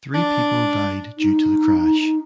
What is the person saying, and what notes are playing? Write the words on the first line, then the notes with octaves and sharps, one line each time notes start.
Three people died due to the crash.
D4
D#4